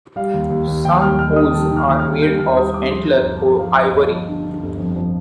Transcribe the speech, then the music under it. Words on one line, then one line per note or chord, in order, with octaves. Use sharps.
Some hoes are made of antler or ivory.
G3 F5
D#2
D#2
D#2
D#2 G5
D#2 F6
G3 F6
D#2 D#6
D#3 A5
D#3
F6
D#2
F6
D#2
G3 G6
D#2 F6
G3 D#6
G3 D6
F3 C6
G1
A#5
G1
A5
F3
F3 F5
F3
D#5
G1
A5
F3
D3
D3
G1
F2
F3